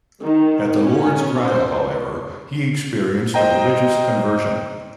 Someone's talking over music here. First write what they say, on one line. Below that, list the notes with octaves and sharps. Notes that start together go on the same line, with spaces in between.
At the Lourdes grotto however, he experienced a religious conversion.
D#3
C#4
C5
C5 D#5 G5 A#5